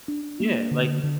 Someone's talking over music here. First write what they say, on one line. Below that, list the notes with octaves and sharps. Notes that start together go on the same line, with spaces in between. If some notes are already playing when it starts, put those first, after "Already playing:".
Yeah, like
D4
A#3
D3
D3